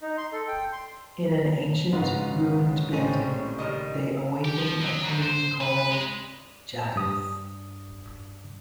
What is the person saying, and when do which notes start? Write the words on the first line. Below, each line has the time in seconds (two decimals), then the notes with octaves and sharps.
In an ancient, ruined building they awaken a queen called Jadis.
0.02 D#4
0.17 C6
0.33 A4
0.48 G5
0.72 C6
1.93 A#1 G#2 C#3 F4 F#4 B4
2.93 A2 G3 C4 D#5 G#5
3.59 D#3 G3 D#5
4.45 G4
4.58 F3
4.81 F#3
5.05 G#2
5.22 C5
5.61 B4
5.91 G#3
6.96 G2 D#6